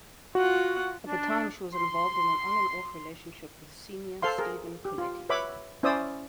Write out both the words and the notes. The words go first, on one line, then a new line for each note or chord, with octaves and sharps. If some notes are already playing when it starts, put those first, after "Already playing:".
At the time, she was involved in an on-and-off relationship with senior Stephen Colletti.
F4 F#4 F#5
D4
C6
A4 C5 F5 C6
G#4 A#4
G4
F4
B4 C#5 E5 B5 D6
C#4 E4 C5 D5 D#6 E6